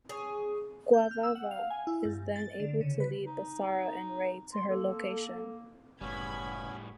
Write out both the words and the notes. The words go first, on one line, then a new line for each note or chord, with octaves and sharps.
Guvava is then able to lead Basara and Ray to her location.
G#4 C#5
G6
F6
E6
F#5
F5
G#5
E4
G2
A6
D3
C#3
B4
D#4
C6
A#3 A4
F#1 A2 G3 B3 C#4 B5 G#6